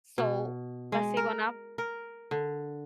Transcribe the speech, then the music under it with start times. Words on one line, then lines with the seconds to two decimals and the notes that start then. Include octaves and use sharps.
So, La Siguanab
0.18 B2
0.92 G#3
1.17 A#4
1.78 A#4
2.31 D3